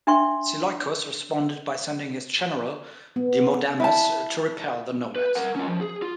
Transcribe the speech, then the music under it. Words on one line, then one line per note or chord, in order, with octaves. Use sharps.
Seleucus responded by sending his general Demodamas to repel the nomads.
D4 E5 G5 C6 C#6
B3
E4 A5
B4
A#4 F#5
C#4 F4
F3
G#4
F4